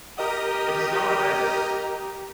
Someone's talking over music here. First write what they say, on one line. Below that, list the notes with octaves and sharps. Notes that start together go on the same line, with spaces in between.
It is now abandoned.
G4 A#4 D#5 A#5 D#6